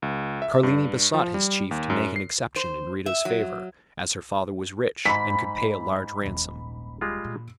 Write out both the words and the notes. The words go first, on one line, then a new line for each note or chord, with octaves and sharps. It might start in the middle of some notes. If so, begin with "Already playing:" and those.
Carlini besought his chief to make an exception in Rita's favor, as her father was rich, and could pay a large ransom.
C#2
E5
G2
F3
G3
D#2
F#2
C7
C5
E5
F#3
G#2 B5 B6
D#1 A#1
G3 G#3 F4
A#2